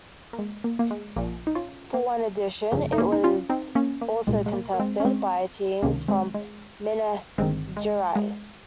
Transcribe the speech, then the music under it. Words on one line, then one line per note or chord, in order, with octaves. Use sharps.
For one edition, it was also contested by teams from Minas Gerais.
A#3
G#3
A#3
A#3
G#3
A#1 A#2 A#3
D#4
C#4 F4
A#3
G1 F2 C#3 A#3
D#4
A#3 C#4
D#4
C#4 F4
C4 D#4
A#3 C#4
A#3
C2 A#2 G#3
G#3
A#3
A#3
G#3 C4
C#4
G#3 C4
C#2 C3 D#3 A#3 C#4
G#3 C4
G#3
G1 G2 D#3 G#3 C4
G#3
G#3